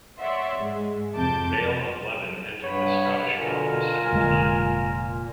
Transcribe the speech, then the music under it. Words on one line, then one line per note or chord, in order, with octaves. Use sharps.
Vale of Leven entered the Scottish Cup for the second time.
C#5 D5 E5 F#5 C6
G#2 G#3
F2 C3 F3 A5 D6 G6
G2 B3 C#5 B5
B2 D3 F4 A#4 G#5
F1 A#2 D3 G#3